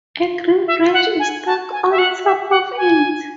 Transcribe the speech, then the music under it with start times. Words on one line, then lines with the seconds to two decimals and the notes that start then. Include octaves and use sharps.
A green branch is stuck on top of it.
0.67 E5
0.93 F#5
1.19 G#5
1.46 A5
1.72 G#5
1.91 E5
1.99 F#5
2.24 E5
2.50 F#5
2.77 G#5